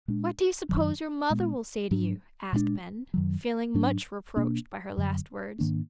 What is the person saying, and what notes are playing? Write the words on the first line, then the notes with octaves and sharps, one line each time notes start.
"What do you suppose your mother will say to you?" asked Ben, feeling much reproached by her last words.
A#2 G#3 D4
F#2 D#3 F#3
A#2 G#3 B3
G#2 F#3 D4
A#2 G#3 B3 D4
F#2 D#3 F#3
G#2 F#3 D4
B2 A#3 D4
F#2 D3 F#3
G#2 D#3 A#3 D4